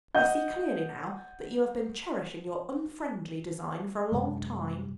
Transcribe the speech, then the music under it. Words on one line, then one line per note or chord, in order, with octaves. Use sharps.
I see clearly now that you have been cherishing your unfriendly design for a long time.
D#5 F#5 G6
F#2 C3 G#3